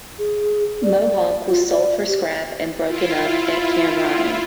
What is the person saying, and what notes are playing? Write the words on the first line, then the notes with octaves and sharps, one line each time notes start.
"Mohawk" was sold for scrap and broken up at Cairnryan.
G#4
D5
F4
D5
G4
E4 F4